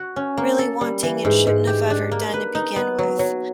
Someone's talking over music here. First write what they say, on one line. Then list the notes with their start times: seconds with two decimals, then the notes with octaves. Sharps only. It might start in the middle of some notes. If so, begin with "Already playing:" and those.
really wanting and shouldn't have ever done to begin with,
Already playing: F#4
0.16 C#4
0.37 A#3
0.59 A4
0.81 G3
1.03 E3
1.25 G#2
1.47 G#2
1.67 G4
1.90 D4
2.11 A#3
2.34 B4
2.55 D#4
2.76 B3
2.99 F#3
3.19 F#3